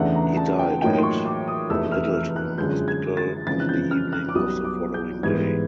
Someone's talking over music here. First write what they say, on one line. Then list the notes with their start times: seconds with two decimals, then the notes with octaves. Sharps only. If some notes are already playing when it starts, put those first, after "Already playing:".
He died at Lyttelton hospital on the evening of the following day.
Already playing: E2 C#3 E3 A3 D4 F#5
0.15 A#5
0.37 A5
0.59 G5
0.81 A2 F#3 A#3 D#4 G5
0.98 C6
1.03 C#6
1.25 D6
1.48 D#6
1.70 F1 E2 C3 E3 A3 E6
1.92 F6
2.36 F#6
2.58 F#2 D3 F3 G#3 G6
2.88 G#6
3.17 A6
3.47 F2 C#3 E3 G#3 A6
3.60 F#6
3.69 G6
3.91 F6
4.13 F#6
4.29 D6
4.35 B1 B2 G3 D#6
4.64 D6
4.94 G6
5.23 G#2 E3 G3 B3 G#6